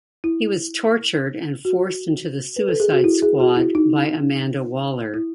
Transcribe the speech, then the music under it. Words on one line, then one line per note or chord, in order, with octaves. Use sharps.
He was tortured and forced into the Suicide Squad by Amanda Waller.
E4
F#4
B4
A4
G#4
F#4
E4
G#4
F#4
E4
D#4
E4